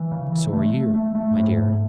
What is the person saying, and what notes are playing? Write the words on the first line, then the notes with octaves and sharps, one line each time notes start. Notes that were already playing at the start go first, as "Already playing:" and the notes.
So are you, my dear.
Already playing: E3
C#3
E3
A3
A3
A3
A3
G#2
A3